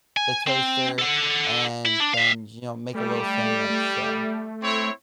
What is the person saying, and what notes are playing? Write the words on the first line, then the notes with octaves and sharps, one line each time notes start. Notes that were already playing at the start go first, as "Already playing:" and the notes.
the toaster, and then, you know, make a little sandwich, so
G#5
C4
A4 F#5
E4
D4
E5 F5
G3 A3
A3
C4 E4 C#5